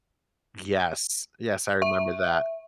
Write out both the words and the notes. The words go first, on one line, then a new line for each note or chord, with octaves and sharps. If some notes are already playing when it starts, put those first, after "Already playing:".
Yes. Yes, I remember that.
E5